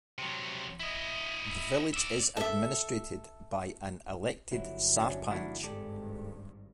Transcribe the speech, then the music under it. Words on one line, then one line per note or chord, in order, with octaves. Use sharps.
The village is administrated by an elected Sarpanch.
C3 F#3
E4 D#5
D5 E5
A4 E5
G1 F#3 E4
C#4 D4 F#4
G#2 F3 A#3 D4 E4 F#4
G#1 G2 G#3 G4 A4 D5